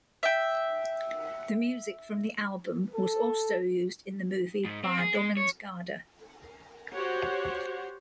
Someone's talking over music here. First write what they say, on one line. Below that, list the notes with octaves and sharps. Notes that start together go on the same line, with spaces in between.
The music from the album was also used in the movie "Barndommens gade".
E5 G5
A4
G#2
C4
G#4
G#3
C#5
F#4 G4 C5 C#5 F#5